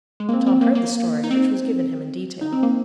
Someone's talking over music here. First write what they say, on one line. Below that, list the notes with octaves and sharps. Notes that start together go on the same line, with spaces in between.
Tom heard the story, which was given him in detail.
G#3
A#3
C4
C4
A#3
A#3
D#4
C4
D#4
C4
A#3